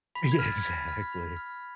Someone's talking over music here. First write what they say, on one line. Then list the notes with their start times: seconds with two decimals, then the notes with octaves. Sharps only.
Yeah, exactly.
0.15 B5 B6
0.32 G#6
0.39 F6
0.47 A6
0.63 B5 B6
0.88 F6
1.13 B5
1.37 F6